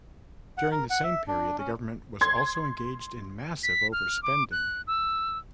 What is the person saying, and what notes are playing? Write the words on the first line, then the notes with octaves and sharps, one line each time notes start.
During the same period the government was also engaged in massive overspending.
F#5
A#4
F#5
E5
D4
C#4
C6 G#6
B6
F6
D6
F#6
E6